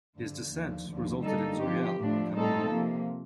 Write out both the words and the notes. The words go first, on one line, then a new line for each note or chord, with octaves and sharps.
His descent resulted in Zauriel becoming mortal.
G2 D3 F3
D#2 D3 F3
D#2 D3 F3
D3 G3 A#3 D#4 A4
F3 C4 G4
A2 F3 A3 D4
A2 G3 C4 D#4 A4
C3 F3 A#3